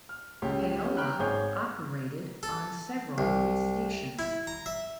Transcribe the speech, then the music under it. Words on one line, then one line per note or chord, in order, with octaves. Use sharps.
Payola operated on several of these stations.
F6
C#2 C#4 G4
C#4 G4
G5 A#5 B5 F6 F#6
G#1 G#4 C#5 G6
A4
C2
E4
A#5
E5